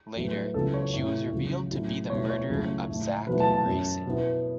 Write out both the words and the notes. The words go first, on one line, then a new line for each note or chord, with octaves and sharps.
Later, she was revealed to be the murderer of Zack Grayson.
A2 F#3 B3
C#2 C#3 F#3 B3 E4 A4
C#5
A2 E3 A3 E4 C#5
C#2 C#3 F#3
A2 F#3 A3 C#4 E4
B2 A3 E4 C#5
C#5
C#2 C#3 F#3 A3 E4
A2 A3 E4
B2 F#3 A3 E4 B4
A5
A5
F#2 F#3 C#4
B2 B3 E4